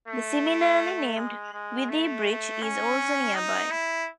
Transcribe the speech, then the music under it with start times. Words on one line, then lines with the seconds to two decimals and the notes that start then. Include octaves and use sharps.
The similarly named Withybridge is also nearby.
0.08 A3
1.16 G#3
1.53 G#3
1.89 A3
2.62 C#4
3.35 D#4
3.70 E4